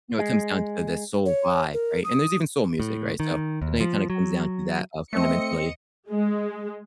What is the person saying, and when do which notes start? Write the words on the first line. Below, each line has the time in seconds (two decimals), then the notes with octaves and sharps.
you know, it comes down to the soul vibe, right? And there's even soul music, right? So I think it kind of comes down to that, uh, fundamentally.
0.19 G#3
1.26 C#5
1.73 A#4
2.04 D#6
2.80 A2
3.20 D#3
3.62 D#2
3.80 F3
4.10 F#3
5.13 A3 C4 D#5 C#7
6.09 G#3